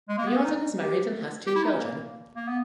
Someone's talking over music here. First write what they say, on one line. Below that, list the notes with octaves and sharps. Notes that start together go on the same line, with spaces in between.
Riordan is married and has two children.
G#3
A#3
B3
C#4
D#4
G4
G4
E4
D#4
C#4
A#3
A#3
B3